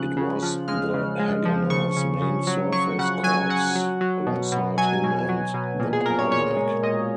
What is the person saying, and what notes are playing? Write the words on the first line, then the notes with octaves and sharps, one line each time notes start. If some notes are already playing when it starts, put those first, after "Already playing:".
It was the Haganah's main surface corps, alongside Him and the Palmach.
Already playing: C#3 F3 F#6
C#3
F3
G#3 F6
C#3
G#3
F3
C#3 C#6
C#3
C#3
F#3
F#3 C#6
C#3 F#5
F#3 G#5
F#3 F#5
F#3
F#3
B2
B2
F#3 G#5
B2
F#3
B2
A#2
G#4
A#2 A#4
C#5
A#2 C#5
G#3
A#2 D#5